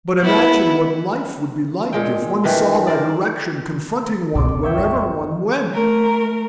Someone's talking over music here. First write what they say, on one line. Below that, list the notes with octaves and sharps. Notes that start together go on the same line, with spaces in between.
But imagine what life would be like if one saw that erection confronting one wherever one went.
B3 E4
A#2 G#3 G5
G2 D#3 E3 G4
A#4 C5 D5
D2 B2 A4 D6
D#2
C#5 E5 G5
G#1 F#2
A3 A#4